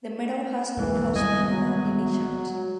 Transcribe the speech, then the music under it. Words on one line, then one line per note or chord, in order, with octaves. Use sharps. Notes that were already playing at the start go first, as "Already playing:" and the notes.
The medal has no post-nominal initials.
E1 E3 G#3 A#3
G3 G#3 B3 D#5 G#5
F#3